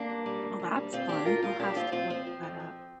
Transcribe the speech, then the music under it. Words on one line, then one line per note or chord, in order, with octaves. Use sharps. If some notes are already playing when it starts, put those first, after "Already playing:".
Oh, that's fun, I'll have to look that up.
Already playing: A#3 D4
G2
G3
D2
D2
G3
D2 C4 F4
G3 D4 G4
D2 F4 A#4
G3 F4 A#4
F3 D4 G4
F2 C4 F4
F2 C4 F4
F3 C4
F3
F2
F3